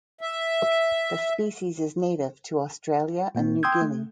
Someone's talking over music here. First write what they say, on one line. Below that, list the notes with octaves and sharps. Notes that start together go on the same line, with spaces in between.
The species is native to Australia and New Guinea.
E5
A#2 A#3 C4
G5 C6 D#6 E6 G6 G#6
A3